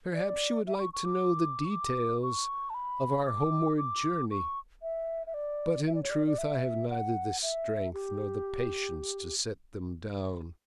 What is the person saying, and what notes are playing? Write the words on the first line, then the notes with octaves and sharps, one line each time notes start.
Perhaps you would like to know the details of our homeward journey, but in truth I have neither the strength nor the patience to set them down.
D5
E5
B5
C#6
C#6
D6
C#6
D6
C#6
A5
B5
D6
D6
C#6
E5
E5
D5
E5
D5
C#5
D5
D5
E5
F#5
E5
G4